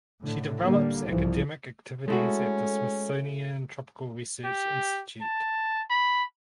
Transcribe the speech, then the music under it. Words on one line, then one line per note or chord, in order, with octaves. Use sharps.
She develops academic activities at the Smithsonian Tropical Research Institute.
A2 D3
D3 G3 A#3
C2 G#2 E3 F3
G#3 A3 C#4 E4 F#4 A4
G4
A5
B5